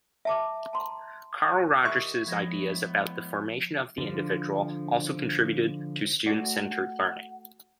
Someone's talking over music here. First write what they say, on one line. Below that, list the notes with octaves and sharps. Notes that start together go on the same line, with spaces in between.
Carl Rogers' ideas about the formation of the individual also contributed to student-centered learning.
E5 A5 D6
A5 A#5 C6
D#3 G4 E5 C#6 D#6
A2 F3 G#3 B3 G#6 A#6
D3 F3
A3 F#4 D5 F#5